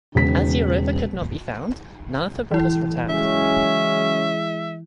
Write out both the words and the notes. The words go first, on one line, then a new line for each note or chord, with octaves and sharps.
As Europa could not be found, none of the brothers returned.
E1 C#3 B6
E3 E4
C#3 F#3 G#3 C#4 E5